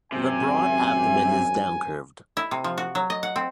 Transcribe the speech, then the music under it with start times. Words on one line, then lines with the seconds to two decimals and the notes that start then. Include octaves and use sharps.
The broad abdomen is downcurved.
0.12 G#1 F#2 C3 G#5
2.37 E4
2.51 C3
2.64 F3
2.78 F#4
2.95 F#3
3.10 D#5
3.23 F#5
3.36 C4